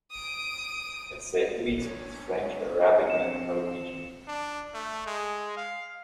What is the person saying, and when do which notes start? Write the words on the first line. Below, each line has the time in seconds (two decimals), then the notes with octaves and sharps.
Essediri speaks French, Arabic and Norwegian.
0.11 D#6 D7
1.79 B3 D4 C#5
3.07 F3 C4 C#7 E7
4.28 D4
4.74 A3
5.06 G#3
5.57 F5